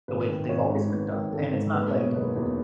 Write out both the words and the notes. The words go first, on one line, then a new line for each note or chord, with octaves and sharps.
the way that they've always been done?" And it's not like,
G#1 B4
D#3
G#1 C#5
G#2
G#1 B4
D#3
G#1 A4
G#2
F#1 B4
B2 C#5
F#1 B4
E2